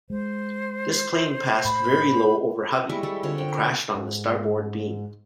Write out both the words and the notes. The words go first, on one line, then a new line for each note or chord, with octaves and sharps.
This plane passed very low over "Hovey" and crashed on the starboard beam.
G#3 C5
A2 B5
D#5
G3 G#3 E4 C#6
G3 G#3 E4 A4
D3 C4 F4 C#5
G5
A#4
G#2